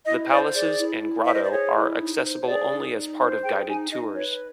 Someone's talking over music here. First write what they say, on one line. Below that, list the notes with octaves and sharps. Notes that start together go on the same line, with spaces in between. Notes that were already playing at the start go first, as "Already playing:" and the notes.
The palaces and grotto are accessible only as part of guided tours.
E4 D#5
C5 D5
G#4 D5
E4
E4
C5 E5
D#5
D5
G#4 C#5
E4
D#4
C5
C#5
G#4 D5
D#4
D#4
C5
G#4 G5
D#4 G#5
D#4 D#5
B4 C#5